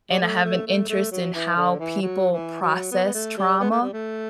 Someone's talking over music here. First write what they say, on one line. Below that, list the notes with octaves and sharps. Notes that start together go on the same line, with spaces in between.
and I have an interest in how people process trauma,
G3
A3
A3
A3
A3
F#3
E3
D3
E3
F#3
E3
F#3
B3
B3
A3
G3
B3
A3
G3
A3